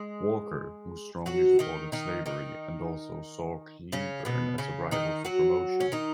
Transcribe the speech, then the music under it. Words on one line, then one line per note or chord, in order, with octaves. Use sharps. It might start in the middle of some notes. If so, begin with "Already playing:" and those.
Walker, who strongly supported slavery and also saw Cleburne as a rival for promotion.
Already playing: G#3 G#4
F#3 F#4
D#3 D#4
D#3 D#4
D#3 D#4
C#3 C#4
B2 B3
C#3 C#4
D#3 D#4
F#3 F#4
C#4
D#3 D#4